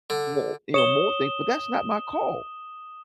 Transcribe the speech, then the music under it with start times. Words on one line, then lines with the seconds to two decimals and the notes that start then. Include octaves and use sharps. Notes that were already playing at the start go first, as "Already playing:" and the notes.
mor you know, more things, but that's not my call
0.10 D3
0.74 C#5 D#6 E7 G7